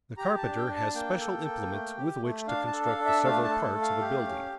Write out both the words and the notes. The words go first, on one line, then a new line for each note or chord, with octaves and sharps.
The carpenter has special implements with which to construct the several parts of a building.
G4 A#5
A5
D4
G5
D4
A5
A#3 G5
A4
A#3
A3
G4
A3
D4 F5
A5
A4
F5
D4
E5
A3 F5
A5
A4
A3
F5
G4
C#4